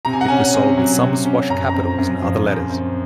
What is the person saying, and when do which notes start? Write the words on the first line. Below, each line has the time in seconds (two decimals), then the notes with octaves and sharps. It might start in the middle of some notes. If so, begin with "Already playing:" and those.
It was sold with some swash capitals and other letters.
0.05 C3 A#5
0.13 G#5
0.21 F#5
0.28 C#4 G#5
0.54 C3
0.78 F#3
1.02 C3
1.25 C#4
1.50 F#2 A#5
1.70 C4 A#5
1.98 F#2
2.22 F3
2.47 F#2
2.70 C4